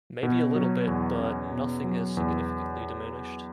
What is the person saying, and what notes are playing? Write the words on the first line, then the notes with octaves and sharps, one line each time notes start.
Maybe a little bit, but nothing has significantly diminished.
B2
F#3
E2
C#4
B2
F#3
E2